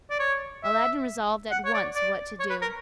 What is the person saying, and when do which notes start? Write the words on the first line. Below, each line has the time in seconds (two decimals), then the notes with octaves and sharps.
Aladdin resolved at once what to do.
0.10 D5
0.19 C#5
0.63 E5
1.51 F#5
1.65 C#5
1.73 D5
1.95 D5
2.40 C#5
2.50 B4
2.62 A#4